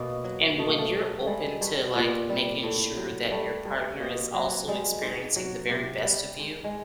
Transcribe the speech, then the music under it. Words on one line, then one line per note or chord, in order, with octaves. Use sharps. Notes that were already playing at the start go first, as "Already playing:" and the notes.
And when you're open to, like, making sure that your partner is also experiencing the very best of you
Already playing: B2 A#3
F#3
B2 A3
A#3
A3
F#3
A3
G3 G#3
G2
A#2
G3
A2
F#3
G3 A3
G2
B2 A#3
F#3
G3 G#3
G#2
F#3
C3
G3
G#2
G#3